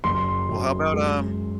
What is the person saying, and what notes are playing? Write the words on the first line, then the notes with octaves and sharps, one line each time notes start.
Well, how about, um
F#1 C6
F#2
G#3